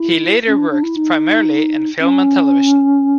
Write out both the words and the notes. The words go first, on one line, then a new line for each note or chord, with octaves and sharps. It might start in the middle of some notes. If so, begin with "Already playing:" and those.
He later worked primarily in film and television.
Already playing: E4
C#4
D4
D4
E4
D#4
C#4